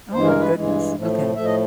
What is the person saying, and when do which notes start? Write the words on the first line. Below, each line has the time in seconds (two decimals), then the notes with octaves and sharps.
Oh, my goodness, okay.
0.13 G2 E3 G#3 C5
0.27 A#4
0.40 B4
0.54 G2 E3 G#3
0.95 A2 F3 A3
1.35 A2 F3 A3 E5
1.45 D#5